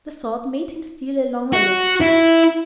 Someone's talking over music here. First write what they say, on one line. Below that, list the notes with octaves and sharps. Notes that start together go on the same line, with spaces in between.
The thought made him steal a longer look.
F#4
E4